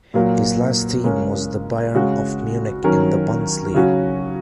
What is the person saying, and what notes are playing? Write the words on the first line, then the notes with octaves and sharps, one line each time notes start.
His last team was the Bayern of Múnich in the Bundesliga.
A#2 F#3 A#3
C#3 G#3 C#4 A#4
C#3 G#3 C#4 F#4
D#3 F#3 C#4 A#4
C#3 F#3 C#4 F#4